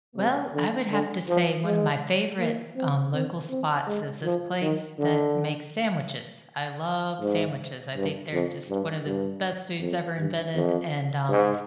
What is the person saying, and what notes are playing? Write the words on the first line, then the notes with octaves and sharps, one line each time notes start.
Well, I would have to say one of my favorite, um, local spots is this place that makes sandwiches. I love sandwiches, I think they're just one of the best foods ever invented, and, um,
C3
D3
D3
F3
G#3
A#3
C4
C4
C4
G#3
F3
D#3
D3
G#2
G2
F2
G2
G2
F2
G2
F2
G#2